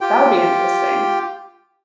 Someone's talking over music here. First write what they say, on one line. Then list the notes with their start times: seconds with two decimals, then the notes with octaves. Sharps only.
That would be interesting.
0.01 F4 G4 G5